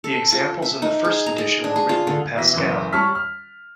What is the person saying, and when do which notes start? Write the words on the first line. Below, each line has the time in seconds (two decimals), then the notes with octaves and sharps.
The examples in the first edition were written in Pascal.
0.04 A4
0.32 F4
0.62 E5
0.82 D#4
1.05 G#4
1.26 A#5
1.38 G#4
1.64 D4
1.76 G#4
1.89 F4
2.07 D3
2.36 B2 E3 E5 A#6
2.54 F#1 E3
2.92 G3 C#5 A5 C#6 F6 B6
3.15 F6